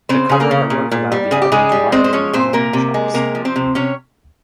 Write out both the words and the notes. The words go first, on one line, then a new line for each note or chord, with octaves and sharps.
The cover art work allowed the album to market in comic book shops.
C#3 C4 C5
C#3 G#4
A#3 A#4
C#3
A#2
A#2
G3
C#3 G#4
G4
C#3 G#3 G#4
G3
G#3 C4 C5
C5
F3 C#4 C#5
A#2 C4 C5
C3 A#3 A#4
C3
G#3
C3 A#3 A#4
F3
C4 C5
C3
C3 C#4 C#5